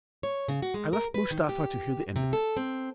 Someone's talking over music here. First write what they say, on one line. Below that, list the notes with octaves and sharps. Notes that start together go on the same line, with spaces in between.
I left Mustapha to hear the end of it.
C#5
C#3
F#4
G#3
A#4
B4
D#3
G4
C3
A4
C4